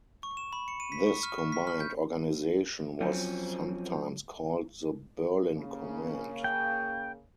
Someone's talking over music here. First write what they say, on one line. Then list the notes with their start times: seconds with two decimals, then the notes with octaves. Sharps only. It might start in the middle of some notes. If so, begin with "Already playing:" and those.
This combined organization was sometimes called the "Berlin Command".
0.23 C#6
0.37 E7
0.53 B5
0.68 C#7
0.80 D#7
0.92 B6
1.07 C#6
1.23 F6
1.38 C#6
1.52 B6
1.67 F6
1.80 G6
3.01 F3 F#3 C4 C#4
5.55 C#3 A#3
6.44 G5